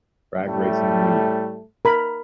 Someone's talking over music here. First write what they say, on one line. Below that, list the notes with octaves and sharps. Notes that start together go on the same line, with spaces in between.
Drag Racing League.
A2 G3 A3
A#4 B5